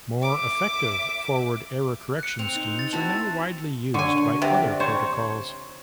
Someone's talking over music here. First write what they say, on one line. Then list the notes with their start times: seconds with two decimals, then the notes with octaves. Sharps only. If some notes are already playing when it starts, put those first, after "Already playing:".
More effective forward error correction schemes are now widely used by other protocols.
0.19 E5 D6
2.19 F#6 C#7
2.39 C4 F7
2.55 D#4
2.79 A6
2.93 C4 E4 F#4 A5
3.94 D3 C#5 G#5 C6 C#6
4.42 C3 D5 F#5
4.80 C5 C#5 A#5 C#6